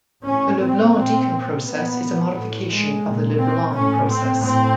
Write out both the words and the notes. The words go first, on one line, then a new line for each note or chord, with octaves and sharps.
The Leblanc-Deacon process is a modification of the Leblanc process.
A2 C#4
C4
A#2 C4
A#2 B3
A2
G#3
A#2
C4
A2 C#4
C4
A2 C4